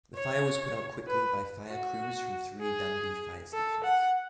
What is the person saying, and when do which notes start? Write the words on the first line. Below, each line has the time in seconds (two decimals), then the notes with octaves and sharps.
The fire was put out quickly by fire crews from three Dundee fire stations.
0.16 C#5
1.08 B4
1.69 F#4
2.61 G#4
3.53 A4
3.84 F#5